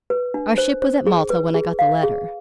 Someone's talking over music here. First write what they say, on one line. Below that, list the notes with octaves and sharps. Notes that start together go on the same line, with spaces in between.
Our ship was at Malta when I got the letter.
B4
D4
C5
C5
G#4
B4
G#4
F5
G#4